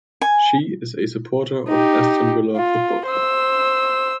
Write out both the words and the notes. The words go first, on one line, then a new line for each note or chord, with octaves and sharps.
She is a supporter of Aston Villa football club.
G#5
D#4 G4
F4
C5 E6